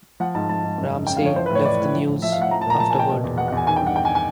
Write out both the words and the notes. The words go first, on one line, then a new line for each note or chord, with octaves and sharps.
Ramsey left the "News" afterward.
F3 F#5
G#2 A5
F3 A5
G#2
F#2
F#2
C#3 G5
F5
F3 C#5
E3 C5
B4
A2
C#5
E3 D5
A2
F3
A2
F3 E5
F5
A2 F#5
F3 A#5
A5
A#2 A#5
F3 A5
G#5
A#2 G5
B2
E2
B2 F#5
F#5
E2 G#5
D#3 G#5
G5
G2
F#5
D#3 G5
G#5
G#5